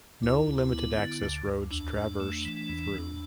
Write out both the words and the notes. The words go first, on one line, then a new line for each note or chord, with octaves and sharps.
No limited access roads traverse through.
D2 E4
D2
B3
D3
D2
D2
E2 D4
E2
A3
E3
E2
E2